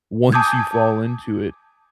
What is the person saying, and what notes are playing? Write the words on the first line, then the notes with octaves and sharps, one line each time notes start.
once you fall into it,
G#5 A5 D6 D#6 G6 G#6